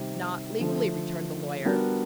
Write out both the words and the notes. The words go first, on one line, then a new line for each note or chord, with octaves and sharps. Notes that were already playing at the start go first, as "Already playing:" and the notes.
"Not legally," returned the lawyer.
Already playing: C3 D#3 G3
D3 F3 A3 D4
G3 B3 D4 F#4 A#4